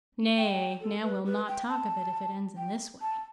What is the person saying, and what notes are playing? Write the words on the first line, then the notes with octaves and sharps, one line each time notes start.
Nay, now we'll not talk of it, if it ends in this way.
G5
A4
B4
B4
G5
A5
G5
A5